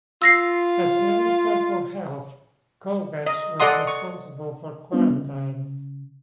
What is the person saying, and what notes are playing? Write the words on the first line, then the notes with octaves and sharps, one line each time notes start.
As minister for health, Colebatch was responsible for quarantine.
F4 E6 A#6 C7
D#5
A4 D5 D#5 F#5 C6 D#6
C#6
G3 B3 D4 F4 C#5
C#3